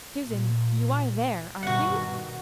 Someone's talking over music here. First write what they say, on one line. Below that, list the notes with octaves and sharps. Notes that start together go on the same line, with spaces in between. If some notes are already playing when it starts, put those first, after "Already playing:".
"Susan, you are there, aren't you?"
A#2
G2 B2 D#3 F#4 F#5